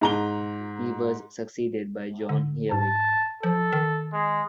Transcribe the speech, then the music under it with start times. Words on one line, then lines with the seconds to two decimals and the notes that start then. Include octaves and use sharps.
He was succeeded by John Healey.
0.01 G#2 A#5 G7
2.29 D3
2.71 G#2 A5
3.43 F3 A4
3.72 D#3
4.13 G#3